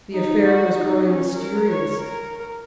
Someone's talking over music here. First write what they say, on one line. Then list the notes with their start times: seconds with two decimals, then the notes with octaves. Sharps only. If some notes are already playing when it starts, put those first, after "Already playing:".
The affair was growing mysterious.
0.14 D#4
0.45 F#4
0.76 D#4
1.07 C#4
1.37 A#4
1.69 C#5
2.00 A#4